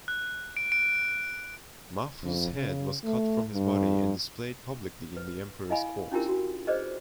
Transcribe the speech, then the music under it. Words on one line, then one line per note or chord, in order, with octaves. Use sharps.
Mahfuz's head was cut from his body and displayed publicly in the Emperor's court.
F#6
D7
D7
F2
C#3
A3
G2
B4
E4 D#5 F5 G#5 B5
C#4 D4 E4 F4 G4 A#4
F#4
G#4 B4 C5 D5 D#5